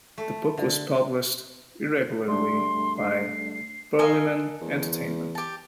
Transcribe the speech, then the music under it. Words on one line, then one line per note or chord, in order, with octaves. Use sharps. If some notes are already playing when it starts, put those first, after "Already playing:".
The book was published irregularly by Burlyman Entertainment.
A3
D3
G3 A3 D4 C6
C7
A4 A#4 D#5 F5 G#5
E2
G4 A5